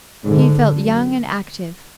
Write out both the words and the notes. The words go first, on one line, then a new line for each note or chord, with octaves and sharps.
He felt young and active.
G#2 D3
F#2